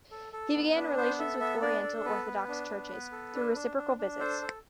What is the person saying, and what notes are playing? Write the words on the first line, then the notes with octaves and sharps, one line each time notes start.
He began relations with Oriental Orthodox churches, through reciprocal visits.
A4
A4
B3
D4 B4
B3 C5
A4 E5
B3 E5
D4 D5
A4
B3 B4
B3
D4
B3
B3
A4
D4
D4
D4
D4
A4 C5
A4